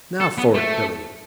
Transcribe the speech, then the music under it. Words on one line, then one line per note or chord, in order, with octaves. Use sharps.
Now for it, Billy.
A4
B3
A3